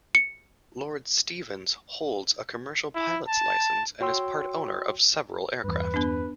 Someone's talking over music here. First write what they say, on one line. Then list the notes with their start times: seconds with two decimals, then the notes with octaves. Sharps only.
Lord Stevens holds a Commercial Pilot's Licence and is part owner of several aircraft.
0.15 C#7
2.95 E4
3.28 A5
4.01 F#4 C#5 G5 C6 E6
5.64 E2 G2 B4
5.94 B3 D4